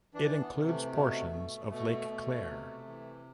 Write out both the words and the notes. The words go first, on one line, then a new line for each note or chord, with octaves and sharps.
It includes portions of Lake Claire.
E3 D4
B3
C3
A3
B2 A3
B2
B2 A3
B2
C3
E3